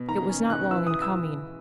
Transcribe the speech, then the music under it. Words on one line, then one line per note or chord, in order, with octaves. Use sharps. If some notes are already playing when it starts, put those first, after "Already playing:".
It was not long in coming.
Already playing: B2
D#3 A#5
C#4
D#3 F#6
E3 E6
E3 D#6
E6
E3